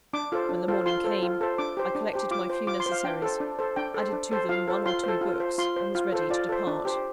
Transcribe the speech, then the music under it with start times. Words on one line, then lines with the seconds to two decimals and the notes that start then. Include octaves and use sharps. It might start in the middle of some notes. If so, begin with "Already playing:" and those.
When the morning came, I collected my few necessaries, added to them one or two books, and was ready to depart.
0.13 D4 D6
0.32 F4 A4 C5
0.49 D4
0.68 F4 A4 C5
0.86 F4 C6
1.04 A4 C5
1.23 F4
1.41 A4 C5
1.58 D4 D6
1.77 G4 C5
1.95 D4
2.14 G4 C5
2.31 F4 D6
2.50 C5
2.67 F4 D6
2.80 C6
2.86 C5
2.92 F5
3.04 D4 G5
3.22 A4 C5
3.40 D4
3.59 A4 C5
3.76 D4 G5
3.94 A4 C5
4.13 D4
4.32 A4 C5
4.49 F4 F5
4.68 A4 C5
4.86 F4 C6
5.04 A4 C5
5.21 F4
5.40 C5
5.58 F4 C6
5.76 C5
5.95 F4
6.12 A4 C5
6.30 F4 D5
6.49 A4 C5
6.67 D4
6.85 G4 C5